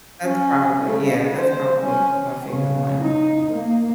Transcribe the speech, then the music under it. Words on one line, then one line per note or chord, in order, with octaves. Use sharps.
That's probably yeah, that's probably my favorite one.
C#4
C#3 A3
C#3
C5
C#4
C#3
D#4
A#3